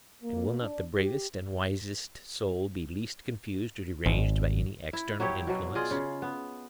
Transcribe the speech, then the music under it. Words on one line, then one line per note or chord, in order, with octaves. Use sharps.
And will not the bravest and wisest soul be least confused or deranged by any external influence?
A#3
D4
G4
G#1
E4
F#3 E4 G4 C#5
B2 F#3
F4 G#4 D5 D#5
C#3
B3